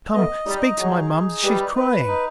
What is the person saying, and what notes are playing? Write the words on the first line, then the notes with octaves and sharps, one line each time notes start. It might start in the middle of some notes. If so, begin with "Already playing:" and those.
"Come ... speak to my Moms; she is crying."
A3 B3 D#5
G3 D#4
F#3 G#4
D#4
G3 B4
B4
D#4